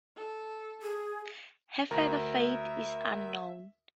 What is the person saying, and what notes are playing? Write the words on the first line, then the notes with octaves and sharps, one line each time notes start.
Her further fate is unknown.
A4
G#4
D2 A#4 E5 A#5